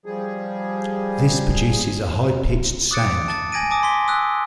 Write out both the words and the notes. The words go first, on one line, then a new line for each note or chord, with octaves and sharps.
This produces a high pitched sound.
F3 G3 G#4
D6 D#6 F#6 A6 C#7 D7
A5 A6
G#5 G#6 A#6 D7 D#7
A5 D6 D#6 A#6
C6 B6 G7
D#6 E6 F#6